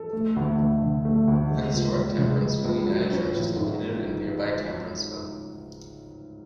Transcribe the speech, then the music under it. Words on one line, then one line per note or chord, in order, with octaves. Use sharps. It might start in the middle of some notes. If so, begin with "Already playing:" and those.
The historic Temperanceville United Church is located in nearby Temperanceville.
Already playing: A4
A3
D2
D2
D3
A3
D2
G#3
C#2
C#2
C#3
G#3
C#2
F#3
C#4
A1
G#2